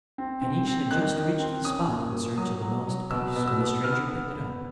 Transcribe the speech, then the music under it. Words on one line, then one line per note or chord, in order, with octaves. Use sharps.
Caniche had just reached the spot in search of the lost piece when the stranger picked it up.
C4
C4
C4
D#3 F#6
D#3
C4
C#4 D#6
A#2
A#2
F#3 D#6
F#3
F#3
B2 E6
B2
E6
B3
B3 F6
B3
B3